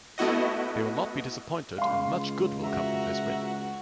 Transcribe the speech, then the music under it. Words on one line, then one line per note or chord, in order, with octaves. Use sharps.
They will not be disappointed and much good will come from this win.
A3 B3 E4 F#4 D#5
C#2 F5 C6
F#4 E5 A#5